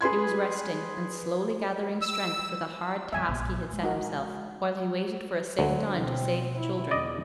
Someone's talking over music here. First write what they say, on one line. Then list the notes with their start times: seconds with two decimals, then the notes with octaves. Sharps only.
He was resting and slowly gathering strength for the hard task he had set himself, while he waited for a safe time to save the children.
0.01 G#4 B4 C6 G#6
2.02 E6
3.13 E2 G3 E5 G#5
3.29 A#1
3.72 G#3
3.83 D#4 F#4 A#4
5.59 D2 F#3
5.92 B2 C4
6.59 E4
6.91 E2 D5 D#5